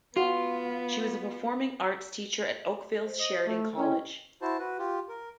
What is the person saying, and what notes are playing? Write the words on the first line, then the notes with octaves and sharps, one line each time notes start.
She was a performing arts teacher at Oakville's Sheridan College.
B3 F4 F#4
C5
D#5
A3
C#4 E4 D#5 G5
E4 F#4 C5 A5
F#4 B4
F4 G4
A#4